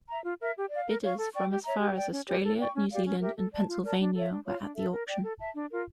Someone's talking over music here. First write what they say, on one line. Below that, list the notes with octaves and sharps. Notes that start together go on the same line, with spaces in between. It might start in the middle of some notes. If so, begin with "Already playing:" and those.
Bidders from as far as Australia, New Zealand and Pennsylvania were at the auction.
E5 A#5
F4
A#4 E5
G4
D5 F5
A#4
C#5 F5 C#6
A4
D5 G5 C#6
G4
C#5 E5 A#5
G4
D5 G5
C#4
G4 C#5
A4
D5 G5 C#6
C#4
G4 D5 F5
C#4
G4 A#4 E5
A4
D5 A5
F4
A#4 D5 A5
D4
A4 C#5 E5
D4
F4 C#5 F5
D4
A4 E5
A#4
D5 G5
A4
E5 A5
D4
F4 A#4